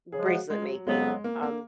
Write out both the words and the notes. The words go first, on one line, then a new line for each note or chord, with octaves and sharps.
bracelet making. Um,
C#3 F3 G#3 G#4
F#4
G#3
F#3
F#3
F2 C#3 F#3 G#3 B3
A#3
A#3